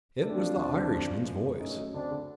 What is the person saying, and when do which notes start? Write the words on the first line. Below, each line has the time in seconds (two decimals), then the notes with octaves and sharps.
It was the Irishman's voice.
0.21 A3 C4 D4
0.38 F3
0.55 D#2
0.73 D3
0.90 F#2
1.07 F3
1.24 F#2
1.42 D3
1.59 A3 C#4 D#4
1.76 F#3
1.93 D2 C4 D4
2.11 D3